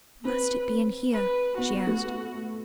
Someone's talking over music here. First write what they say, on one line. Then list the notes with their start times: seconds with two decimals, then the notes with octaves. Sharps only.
"Must it be in here?" she asked.
0.25 C4 B4
1.13 B4
1.58 B3 F#4
1.73 B3
1.87 A3